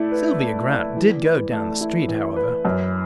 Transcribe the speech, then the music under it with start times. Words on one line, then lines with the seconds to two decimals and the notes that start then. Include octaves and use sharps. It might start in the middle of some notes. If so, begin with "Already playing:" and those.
Sylvia Grant did go down the street, however.
Already playing: A3 E4 D5
0.12 B4
0.39 A3
0.67 D5
0.96 E3
1.24 B4
1.52 A3
1.81 E4
2.08 E3
2.36 B4
2.65 F#2